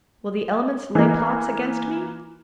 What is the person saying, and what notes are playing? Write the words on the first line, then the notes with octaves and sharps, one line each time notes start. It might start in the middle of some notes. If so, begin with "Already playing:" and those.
Will the elements lay plots against me?
E3 A#3